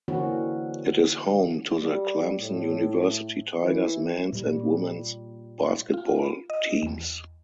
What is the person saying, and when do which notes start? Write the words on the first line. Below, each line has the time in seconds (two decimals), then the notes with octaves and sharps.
It is home to the Clemson University Tigers men's and women's basketball teams.
0.08 D3 E3 A#3 C4 C#4 F#4
1.82 G3
2.39 A2
3.62 E3
4.33 A#2 G3
5.94 F4
6.50 D#5
6.82 E2